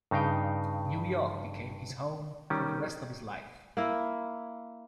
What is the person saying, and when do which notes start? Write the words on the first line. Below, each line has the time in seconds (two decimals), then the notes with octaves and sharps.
New York became his home for the rest of his life.
0.11 G2 C#3 D#4 F5 G5
2.50 D#3 G3 C#4
3.77 A#3 E4